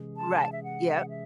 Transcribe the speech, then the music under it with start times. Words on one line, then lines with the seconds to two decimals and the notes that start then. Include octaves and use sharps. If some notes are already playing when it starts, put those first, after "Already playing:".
Right, yep.
Already playing: C3 E3 G#3 C#4 G#4
0.17 A5
0.52 E5
0.64 F#5
1.09 E5